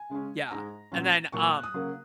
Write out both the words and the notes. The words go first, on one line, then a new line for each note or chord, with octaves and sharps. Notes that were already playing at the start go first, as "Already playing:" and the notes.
Yeah, and then, um
Already playing: G#5
C#3 G#3 C#4
G#2 G#3 D#4 A#5
A#2 F#3 C#4
A#2 F#3 A#3 C#6
C#6
F#6
D#6
C#3 F#3 A#3